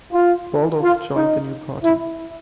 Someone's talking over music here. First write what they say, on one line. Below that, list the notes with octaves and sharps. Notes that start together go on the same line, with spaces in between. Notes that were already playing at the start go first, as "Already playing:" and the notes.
Baldock joined the new party.
F4
F4
D#4
E4